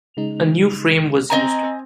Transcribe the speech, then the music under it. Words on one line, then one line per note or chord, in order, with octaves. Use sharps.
A new frame was used.
C#3 G#3 D#4
C4 D#5 G#5 A#5